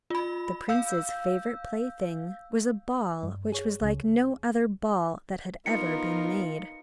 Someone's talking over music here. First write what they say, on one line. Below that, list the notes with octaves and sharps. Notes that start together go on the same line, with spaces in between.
The prince's favorite plaything was a ball which was like no other ball that had ever been made.
F4 B5
F5 E6 G6
G2
G#4 C#5
C#2 C#3
B3 D#4 F4 A#4 C#7